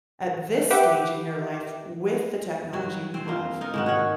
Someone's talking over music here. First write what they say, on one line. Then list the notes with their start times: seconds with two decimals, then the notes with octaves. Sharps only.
at this stage in your life, with the technology we have,
0.70 G4 B4 E5 F#5 G5 D6
2.73 G2 F#3
3.14 C4
3.28 A#3 F4
3.61 D#4 A#4
3.74 G#2 D#3 F#4
3.86 F#4 C#5